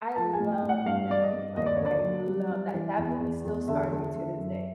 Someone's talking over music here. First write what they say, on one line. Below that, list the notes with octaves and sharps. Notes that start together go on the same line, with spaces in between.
I loved that movie. Like I love that, that movie still scars me to this day.
F3 A5
G#5
A2
G5
A2
F#5
G2 F5
G2 D5
D#5
G2
D#2 D#5
D5
D3 C#5
D5
F#3
G3
G3
E3
E2
E2
E2
D3 E5
D3
D3
F#2